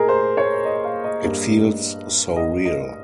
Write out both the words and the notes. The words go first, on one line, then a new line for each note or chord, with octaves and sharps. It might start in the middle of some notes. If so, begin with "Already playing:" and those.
It feels so real!
Already playing: A#2 G#4 A#4 D#5
C5
C#5
D#5
F5
D#5
G2 G3 A#3
D#5
D#5